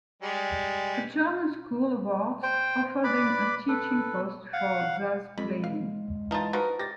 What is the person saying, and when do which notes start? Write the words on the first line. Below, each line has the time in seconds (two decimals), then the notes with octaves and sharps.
A German school of arts offered him a teaching post for saz playing.
0.22 G3 G#3
2.43 C5 G5
3.04 B4 D5 B5 D6
3.68 A4 B4
4.53 F5 F#5
5.38 F2 G#3 B5
5.64 F5
6.31 E3 D#4 F4 A#4 A5 A6
6.53 F3 D#4 F4 F#4 A#4 B4
6.79 G4 A6 A#6